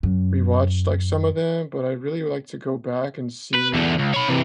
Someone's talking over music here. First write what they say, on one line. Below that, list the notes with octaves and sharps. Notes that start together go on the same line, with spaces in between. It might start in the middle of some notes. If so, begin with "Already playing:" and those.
re-watched, like, some of them, but I'd really like to go back and see
F#2
B4
E2 D3
C#2
C#5 B5
C3 E3